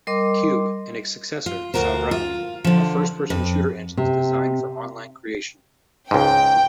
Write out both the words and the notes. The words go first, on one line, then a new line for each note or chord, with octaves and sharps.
"Cube" and its successor, "Sauerbraten" are first-person shooter engines designed for online creation.
G3 A#4 D#5 C6 D6
F4
D2 F4 F#4 A#4 C5
F4
D3 F3
F2 B4
C3
C#2 G#2 G5